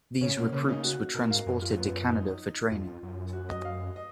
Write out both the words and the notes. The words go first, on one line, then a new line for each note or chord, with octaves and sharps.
These recruits were transported to Canada for training.
C#3 C#4
B2 A#3
C#3 C#4
D#4
F#4
B2 A#4
G#2 F5
F#2
F4
B3
D#4
F2 F4
F2
F#2
F#4
D#5
F5
D#5